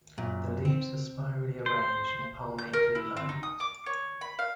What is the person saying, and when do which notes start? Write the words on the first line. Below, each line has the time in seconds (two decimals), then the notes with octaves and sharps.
The leaves are spirally arranged, and palmately lobed.
0.18 F#2 A#2
0.65 C4
1.66 C5
2.58 G6
2.73 A#4
2.95 E4
3.17 C4
3.29 D#4
3.43 D#6
3.60 D6
3.86 C#5
4.21 B5
4.39 F5